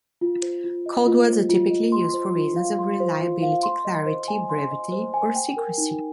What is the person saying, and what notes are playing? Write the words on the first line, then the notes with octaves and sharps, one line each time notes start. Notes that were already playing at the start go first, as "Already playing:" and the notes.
Code words are typically used for reasons of reliability, clarity, brevity, or secrecy.
F4
C5
F4
D#5
F4
C5
F4
D#5
C6
C5
F4
F5
C6
C5
F4
F5
C6
D#5
C5
G#5
C6
D#5
C5
G#5
G5
A#4
D#4